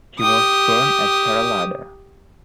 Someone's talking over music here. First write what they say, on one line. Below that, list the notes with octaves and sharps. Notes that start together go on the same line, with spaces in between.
He was born at Perelada.
G4 D#6